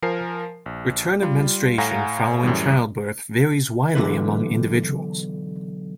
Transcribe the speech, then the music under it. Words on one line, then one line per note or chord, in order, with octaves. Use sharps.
Return of menstruation following childbirth varies widely among individuals.
F3 A#4 G#5 C7
A#1
G3 F4
A2 F5 F#5 G#5 A#5 A#6
F#2 A2 E3 G3
B1 A#2 D3 E3 B4